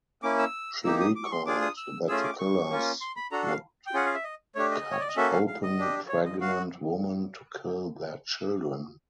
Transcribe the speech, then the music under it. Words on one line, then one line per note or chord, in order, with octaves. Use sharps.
She recalled that the killers would cut open pregnant women to kill their children.
A#3 C#4 E4 D6
E6
A#3 D#4 G4 E6
D#6
D6
C#6
C6
D4 F4 G#4 D6
D#6
E6
A3 C#4 F4 G#4 E6
D6
C#6
A#3 C#4 F4
C6
B5
D4 F#4 A4 A#5
F5
G5
C#4 F4 G#4 F#5
F5
E5
D#5
A3 D4 G4 C#5
D#5
C#5
D5
D#5
A#3 C#4 F#4 A4 E5
F5
F5
D#5
D4 G4
C#5
D#5
F#4 F5